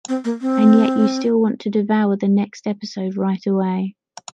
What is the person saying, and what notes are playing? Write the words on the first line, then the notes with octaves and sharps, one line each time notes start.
And yet, you still want to devour the next episode right away.
C4
A#3
C4